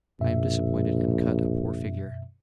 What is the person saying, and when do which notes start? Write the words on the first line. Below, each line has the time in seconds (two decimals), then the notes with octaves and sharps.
I am disappointed and cut a poor figure.'
0.20 A#1 F#2 B2 E5